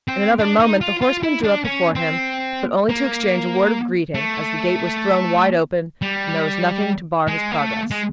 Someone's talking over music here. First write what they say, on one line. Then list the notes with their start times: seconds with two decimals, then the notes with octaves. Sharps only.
In another moment the horseman drew up before him, but only to exchange a word of greeting, as the gate was thrown wide open, and there was nothing to bar his progress.
0.08 C4
0.39 D4
0.60 D#4
0.81 F4
1.02 F4
1.23 E4
1.44 D4
1.65 C#4
1.95 C4
2.89 A#3
4.14 A3
6.02 G3
7.28 G#3
7.52 A#3
7.59 A3
7.91 G#3